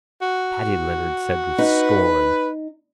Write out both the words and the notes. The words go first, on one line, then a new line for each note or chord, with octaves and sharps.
Paddy Leonard said with scorn.
F#4
D#4 B4